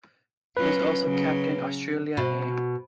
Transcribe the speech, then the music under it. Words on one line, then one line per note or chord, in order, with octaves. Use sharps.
He has also captained Australia A.
F#3 C#4 F4 B4
C#3 F#3 C#4
B2